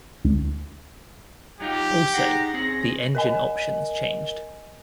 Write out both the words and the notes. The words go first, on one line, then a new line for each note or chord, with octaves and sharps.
Also, the engine options changed.
D2
F#3 D#4 F4 G4
D#4 G#4 F#5 A#6
C4 C#4 G#4
A#4 D#5 G#5